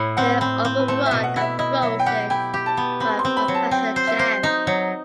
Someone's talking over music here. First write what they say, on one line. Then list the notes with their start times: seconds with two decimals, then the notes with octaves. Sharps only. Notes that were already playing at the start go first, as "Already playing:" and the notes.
They’re overrun and frozen by Professor Chang.
Already playing: A2 E4
0.17 C4 F#5
0.41 C4 B5
0.65 C4
0.79 B4
0.88 A3 C5
1.06 E5
1.11 B2
1.23 F#5
1.36 E4 F#5
1.41 E5
1.59 E4 D#5
1.82 F#3 E5
1.99 G5
2.06 G4 F#5
2.30 E4 G5
2.54 G4
2.66 A5
2.77 B3
3.00 C4 B5
3.19 C6
3.25 C4
3.37 B5
3.48 F#3
3.54 A5
3.71 C4 G5
3.96 C5
4.07 E5
4.19 C5
4.43 D#4 D#5
4.67 F#3